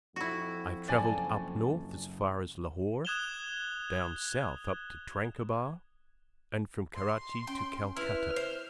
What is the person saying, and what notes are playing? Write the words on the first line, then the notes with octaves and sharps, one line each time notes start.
I have travelled up north as far as Lahore, down south up to Tranquebar, and from Karachi to Calcutta.
F2 E4 F#4
F#2 C#3 D5 G#5 A5
D#6 F#6 G#6 E7 F7 G7
C6
C#4 G5
E4 B4 F6
C5